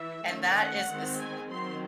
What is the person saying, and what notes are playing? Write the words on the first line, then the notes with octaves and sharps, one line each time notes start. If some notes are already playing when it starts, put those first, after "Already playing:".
And that is a s
Already playing: E3 E5
D#3 A3 C#4
F#5
D#3 G#3 C4
G#5
D#3 F#3 C4 C6